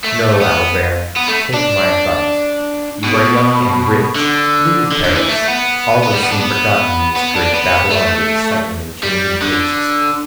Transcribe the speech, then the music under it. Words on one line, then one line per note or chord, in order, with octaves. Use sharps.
No, Albert, take my advice. You are young and rich--leave Paris--all is soon forgotten in this great Babylon of excitement and changing tastes.
A3
B3
B3
A3
D4
B2
D3
D3
D3
E3
A3
B3
B3
G3
B3
D4
B3
B3
D4
B3
A3
G3
D3